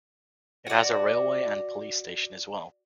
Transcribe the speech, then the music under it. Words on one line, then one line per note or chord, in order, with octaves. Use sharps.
It has a railway and police station as well.
F#4 D5